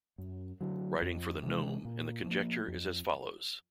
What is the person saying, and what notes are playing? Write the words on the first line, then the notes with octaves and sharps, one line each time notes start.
Writing for the nome and the conjecture is as follows.
F#2
D3 F#3
F2
C3 E3 G#3
A#2
F3 A#3
F2